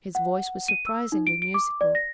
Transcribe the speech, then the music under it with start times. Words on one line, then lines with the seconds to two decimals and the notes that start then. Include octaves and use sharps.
His voice was surprisingly musical.
0.15 F#5
0.68 D#7
0.87 E6
1.12 D#4
1.27 D7
1.42 D7
1.54 D6
1.81 D5
1.95 A#6